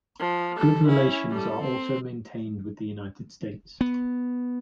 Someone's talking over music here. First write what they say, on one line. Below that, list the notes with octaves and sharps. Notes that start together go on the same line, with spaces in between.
Good relations are also maintained with the United States.
F3
G3 A4
C#4 E4
G3 A4
C4
B3